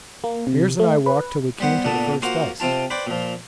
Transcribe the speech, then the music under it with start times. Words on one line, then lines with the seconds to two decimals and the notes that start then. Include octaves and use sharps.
Meares and I walked till we came to the first ice.
0.24 A#3
0.47 C3
0.80 A3
1.06 B4
1.60 G3 B3 C5 F#5
1.85 A#2 D3 B3 A5
2.22 A#3 F4 F#4 C5
2.60 C3 C4 F4 A5
2.90 B4 C5 D5 G5
3.07 A#2 F3